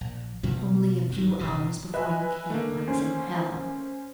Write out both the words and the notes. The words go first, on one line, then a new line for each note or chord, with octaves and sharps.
"Only a few hours before you came, I was in hell!"
A#1
B2 F3 G3 A#3
G1 E2 G#2 D#3
E1 G2 C#3
B4 D#5 E5 G#5
A3 A#3
C#4 C5